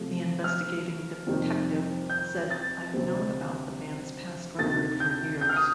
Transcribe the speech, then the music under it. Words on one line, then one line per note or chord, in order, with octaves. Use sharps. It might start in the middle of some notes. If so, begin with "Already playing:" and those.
The investigating detective said I've known about the man's past record for years.
Already playing: C3 F3 A3
F6
F2 C3 D#3 G3
G6
A6
D2 C3 G3 C4
D2 C3 D#3 A3 A6
G6
G6
F6
D#6